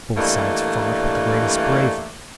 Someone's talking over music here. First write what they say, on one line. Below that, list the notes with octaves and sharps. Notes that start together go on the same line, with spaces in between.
Both sides fought with the greatest bravery.
G2 E3 A3 A#3 D5 D#5